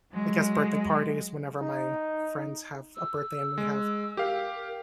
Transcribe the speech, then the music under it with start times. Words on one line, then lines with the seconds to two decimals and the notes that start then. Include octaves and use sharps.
I guess birthday parties whenever my friends have a birthday and we have
0.12 F#3 G#3
1.61 D#4
2.96 E6
3.58 G#3
4.17 G4 A#4 F5